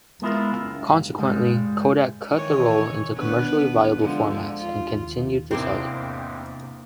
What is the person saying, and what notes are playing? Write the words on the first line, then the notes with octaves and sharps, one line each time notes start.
Consequently, Kodak cut the roll into commercially viable formats and continued to sell it.
G#3 B3 E4 F4 A#4
C#2
C#2 G2 G3 G#3
D#3 E3 C#5
B3 D4 B4
D3 F3 G#3
F4
E2 G#2 C3 A#3 C4 D4 E4 D6